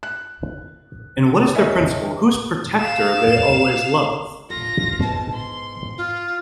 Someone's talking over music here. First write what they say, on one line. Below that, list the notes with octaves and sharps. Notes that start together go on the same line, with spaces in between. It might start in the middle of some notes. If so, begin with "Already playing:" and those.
And what is their principle, whose protector they always 'love'?
F#6
A#4 C#5 D#5 E5 G#5
F5 E7
F4 A4 A#6
G#2 B3 A5
C6
F4